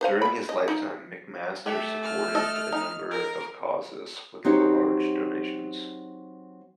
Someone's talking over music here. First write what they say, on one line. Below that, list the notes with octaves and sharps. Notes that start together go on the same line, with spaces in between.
During his lifetime, McMaster supported a number of causes with large donations.
B4 C5 F5
E5 B5
D#5
D#4
A3 G4 E5
F6
A4 D#5
D#4
A#4
F#3 C4 D#4 G4 C#5